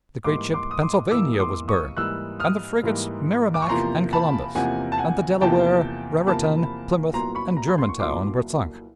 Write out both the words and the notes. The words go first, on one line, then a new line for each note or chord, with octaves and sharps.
The great ship Pennsylvania was burned, and the frigates Merrimac and Columbus, and the Delaware, Raritan, Plymouth, and Germantown were sunk.
G#2 E3 G3 A#3 C6 D6
C6 D6
D#6
C6 D6
G#2 E3 G3 A#3 D6 E6
D#6
C6 D6
C#6 D#6
G#2 E3 G3 A#3 E6 F#6
D#6 F6
G#2 E3 G3 A#3
D6
C#6
E2 C3 F3 A#3 A#5 C6
A5 B5
E2 C3 F3 A#3 F#5 G#5
A5
F#5 G#5
E2 C3 F3 A#3 G5 A5
E2 C3 F3 A#3 A5 B5
C2 A#2 F#3 B3 A#5 C6
B5 C#6
A#5
B5
C6
C#6
C2 A#2 F#3 B3 C6 D6